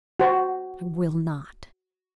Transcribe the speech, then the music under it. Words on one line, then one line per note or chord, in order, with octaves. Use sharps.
"I will not!"
F#4 C5